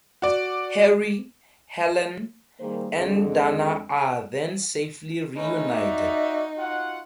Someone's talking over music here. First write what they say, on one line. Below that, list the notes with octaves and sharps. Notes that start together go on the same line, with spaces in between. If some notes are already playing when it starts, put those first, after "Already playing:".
Harry, Helen, and Dana are then safely reunited.
F#4 D5
D#3 G3 A#3 G#4 C5
F2 D3 G#3
A3 C#4 D#4 B4
F#4 D5 E5
F4 F#4 F#5